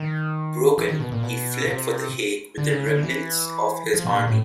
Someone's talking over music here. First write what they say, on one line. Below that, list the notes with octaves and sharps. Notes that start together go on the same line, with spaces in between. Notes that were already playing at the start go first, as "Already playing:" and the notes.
Broken, he fled for The Hague with the remnants of his army.
Already playing: D#3
E3
D#3
B2
A#2
B2
C3
D3
C#3
D3
E3
F3
B2
A#2
A2